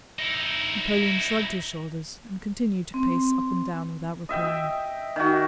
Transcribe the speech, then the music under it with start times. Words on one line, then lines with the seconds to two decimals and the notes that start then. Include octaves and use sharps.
Napoleon shrugged his shoulders and continued to pace up and down without replying.
0.19 D#4 E4
2.94 C4
4.29 D#5 E5 G5
5.16 D#3 F#4